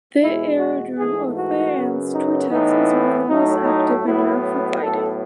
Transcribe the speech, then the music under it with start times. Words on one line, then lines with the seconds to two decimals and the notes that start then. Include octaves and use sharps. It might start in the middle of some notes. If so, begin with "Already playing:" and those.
The aerodrome of Fayence-Tourettes is one of the most active in Europe for Gliding.
0.20 E2 B2 G#3 E4
0.58 F#4
0.96 G#2 E3 A3 G#4
1.35 F#4
1.74 F#2 C#3 F#3 B3
2.12 D#4
2.50 A2 E3 B3 D#4
3.27 A2 F#3 A3 D#4
3.65 D#4
4.03 A2 F#3 B3 E4
4.80 A2 F#3 B3 A4